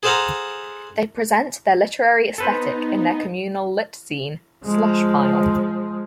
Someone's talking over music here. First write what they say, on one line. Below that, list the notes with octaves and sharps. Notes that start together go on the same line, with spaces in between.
They present their literary aesthetic in their communal lit-zine, "Slush Pile".
G#4 A4 C5 F5 F#5 A#5
B3 D#4 A4 B4 C5
F3 G#3